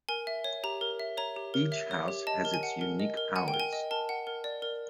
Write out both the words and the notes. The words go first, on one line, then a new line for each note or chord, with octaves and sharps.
Each house has its unique powers.
A#4 G#5
E5
C#5
G4 A#5
A#4
E5
C#5 A#5
G4
A#4
E5
C#5
G4
D#5 A5
A#4
G#5
F#5
A#4
D#5
A#4
F#5 G#5
G5
A#4
G#5
D#5
A#4 A5
F#5
A#4
D5
A#4